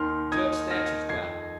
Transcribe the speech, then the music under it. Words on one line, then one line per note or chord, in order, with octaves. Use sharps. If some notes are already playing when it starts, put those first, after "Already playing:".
Judge Thatcher's got it.
Already playing: D#2 D#3 C6 F6
D#4 D#6 G#6
D#4 F6 A#6
F2 G#6 C7